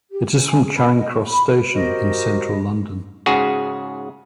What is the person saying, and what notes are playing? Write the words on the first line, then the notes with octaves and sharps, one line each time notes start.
It is from Charing Cross Station in Central London.
G4
C#4
G#5
G#4
B5
D#5
C#6
B5
F#4 G4 A#4 C5 D#5
G#2 C#3 F#4 G#4